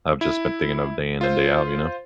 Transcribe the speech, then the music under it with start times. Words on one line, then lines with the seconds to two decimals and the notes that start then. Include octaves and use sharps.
I've just been thinking of day in and day out, you know?
0.21 E4
1.21 F4 C5